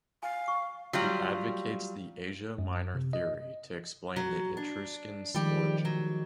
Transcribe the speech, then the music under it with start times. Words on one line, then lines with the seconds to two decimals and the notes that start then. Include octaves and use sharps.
He advocates the Asia Minor theory to explain the Etruscans' origin.
0.23 F5 G#5
0.48 C#6
0.93 F#3 G3 F4
2.58 F#2
2.95 C3
3.13 D#5
4.16 F#3
4.57 D4
5.35 D#3 F3 G3 G#3 G4
5.85 F#3